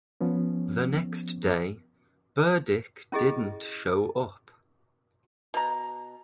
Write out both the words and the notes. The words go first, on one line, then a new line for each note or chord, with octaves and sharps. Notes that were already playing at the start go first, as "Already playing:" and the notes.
The next day, Burdick didn't show up.
F3 B3 C#4
C#4 E4 G4 G#4 D#5
B2 A#5